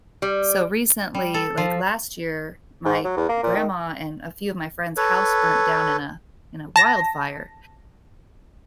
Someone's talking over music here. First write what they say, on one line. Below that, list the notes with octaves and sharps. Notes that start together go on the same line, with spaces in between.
so, recently, like, last year, my grandma and a few of my friends' house burnt down in a in a wildfire,
G3
G3
A4
F3
G#2
F#3
E2
A#3
A#2
D#3
A4 B4 C#5
A5 A#6